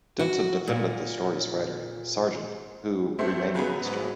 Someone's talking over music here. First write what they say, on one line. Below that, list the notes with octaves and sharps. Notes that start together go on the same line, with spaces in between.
Denton defended the story's writer, Sargent, who remained in his job.
F#4
A#2
G2 A3 C4
C#3 F#3 B3
G#2